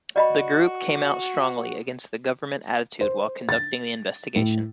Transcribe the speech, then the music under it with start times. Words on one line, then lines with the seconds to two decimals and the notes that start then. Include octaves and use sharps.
The group came out strongly against the Government attitude while conducting the investigation.
0.16 F#4 D5 D#5 B5
3.01 C5
3.49 A6
4.36 A2